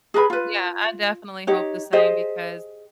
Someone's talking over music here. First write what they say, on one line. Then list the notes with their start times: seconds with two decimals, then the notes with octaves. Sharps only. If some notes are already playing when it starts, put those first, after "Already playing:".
Yeah, I definitely hope the same, because
0.14 G#4 A#4 B4 B5
0.30 F4 B4
1.47 D#4 G4 C#5
1.93 G4 G#4 C5 D#5